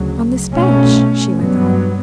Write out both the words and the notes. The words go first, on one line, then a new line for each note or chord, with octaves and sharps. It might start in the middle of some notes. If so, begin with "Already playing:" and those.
"On this bench?" she went on.
Already playing: D2 C#3 F#3
B2 A3 C#4
G2 F#3 B3